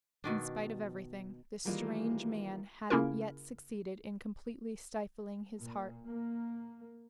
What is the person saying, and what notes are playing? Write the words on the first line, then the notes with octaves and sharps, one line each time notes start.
In spite of everything, this strange man hadn't yet succeeded in completely stifling his heart.
B2 D#3 D4
D#3 E3 G3 G#3 A#3 F4
C#3 A#3 C#4 E4 F4 A#4
A#2
A#3